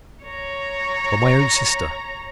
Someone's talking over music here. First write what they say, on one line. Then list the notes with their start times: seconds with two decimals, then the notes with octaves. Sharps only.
From my own sister?
0.24 C#5 A#5